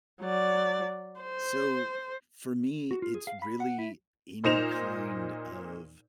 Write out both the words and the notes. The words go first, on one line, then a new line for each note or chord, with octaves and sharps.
So, for me it's really any kind of
F#3 D5
C5
F#4
F4
G#4
F5
B5
F#5
E4
A#2 D#4 C5 E7 F7